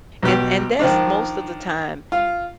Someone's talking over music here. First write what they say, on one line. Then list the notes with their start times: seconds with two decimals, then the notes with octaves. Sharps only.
and and that's, most of the time
0.23 B1 B2 G4
0.79 D#3 F3 D4
2.12 F4